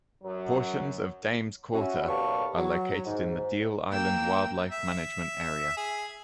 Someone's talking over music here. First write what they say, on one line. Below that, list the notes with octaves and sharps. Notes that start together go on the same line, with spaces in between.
Portions of Dames Quarter are located in the Deal Island Wildlife Management Area.
F#2 F#3
C#4 E4 F#4
D#2 B2 G3 A4 F5 C#6
F#3
G#2
A#3 G5 A#5 E6
E5
G#4